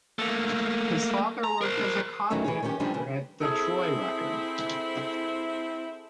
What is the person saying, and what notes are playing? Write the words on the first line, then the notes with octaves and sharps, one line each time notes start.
His father worked as a copy editor at "The Troy Record".
A3 A#3
A#5
A#4 C5
D#3 E3 F#3 A3 C#4 D#4
E3 G#4 C#5
D#3 E3 C#4 G4
D3 D#3 F3 G3 C#4 D4
C#3 E3
C4 E4 G#4 A4